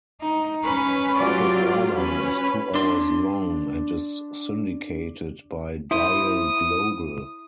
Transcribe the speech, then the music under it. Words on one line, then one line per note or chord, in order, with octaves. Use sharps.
"Out of Order" is two hours long and is syndicated by Dial Global.
D#4
C#4 B4
F#3 F4 G4 D5
C#4 B4
D4 C6
E4 C5 D#6